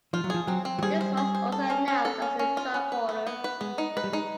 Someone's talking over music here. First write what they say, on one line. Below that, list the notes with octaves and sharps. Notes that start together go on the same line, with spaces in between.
This was also announced as a "tricorder".
F3 F4
F#3
F3 G#4
F#3 C4
C4
F#3
G3 G#4
C5
G#4
C5
A4
C#4
C#4
A4
C#4
C#4
F4
C#4
B4
B3
B3
B4
G#3 B3
D#4
G#3 B4
G3
G#3 D#4